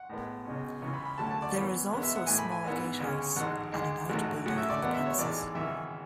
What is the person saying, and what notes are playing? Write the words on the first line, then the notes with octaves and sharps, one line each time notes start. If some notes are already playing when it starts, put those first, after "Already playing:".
There is also a small gatehouse and an outbuilding on the premises.
Already playing: F#5
A2 G#3 B3
C#2 B2 G#3 C#4
C#2 C#3 E3 G#3 C#4
B5
B5
D2 D3 F#3 A3 C#4 A5
A5
D5
F#2 E3 B3 C#5
E2 B2 G#3 B3
E5
F#5
A2 E3 A3 G#5
B5
G#5
G#2 E3 B3
D2 C#3 G#3 C#4
A1 G#2 G#3 F#5
D2 D3 G#3
A1 G#2 F#3 A3
A2 F#3 A3 C#4 F#5
E5
D5
E2 B2 G#3 B3 F#5
E5
C#5
A1 G#2 E3 G#3 D5
G#1 F#2 C#3 E3 E5